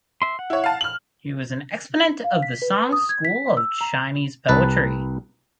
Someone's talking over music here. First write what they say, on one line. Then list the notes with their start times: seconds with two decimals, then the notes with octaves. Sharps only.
He was an exponent of the Song school of Chinese poetry.
0.22 E5 C6
0.39 F#5
0.50 E4 C#5
0.64 F5 A5
0.81 F6 F#7
2.24 F5
2.43 B6
2.62 B4
2.92 D#6
3.09 G#6
3.25 B6
3.57 E6
3.81 A#5
4.48 C2 B4 A5